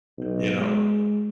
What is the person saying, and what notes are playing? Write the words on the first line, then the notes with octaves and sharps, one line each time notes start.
you know?
B1
G#3